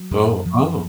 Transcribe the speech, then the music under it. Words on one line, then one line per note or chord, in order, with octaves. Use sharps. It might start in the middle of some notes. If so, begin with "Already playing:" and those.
Oh. Oh.
Already playing: F#3
F#2
F3